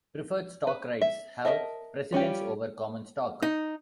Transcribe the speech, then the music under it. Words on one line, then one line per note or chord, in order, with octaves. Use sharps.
Preferred stock rights have precedence over common stock.
B4
E5
A#4 B4 D#5 E5 A5
G3 C#4 F4 G4
D#4